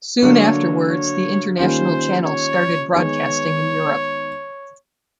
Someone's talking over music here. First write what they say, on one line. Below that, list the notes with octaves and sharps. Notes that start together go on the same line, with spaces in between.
Soon afterwards, the international channel started broadcasting in Europe.
D3 F#3 A#3 D4 F#4 C#5
C#5
D#3 G3 A#3 C#4 F4 C5
C#5
D#3 G#3 B3 D#4 C#5